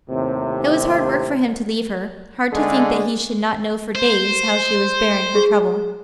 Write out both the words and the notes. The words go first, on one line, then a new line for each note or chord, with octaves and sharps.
It was hard work for him to leave her--hard to think that he should not know for days how she was bearing her trouble.
D#2 A2 C3
D3 G#3 A3 G#4
C5
G#4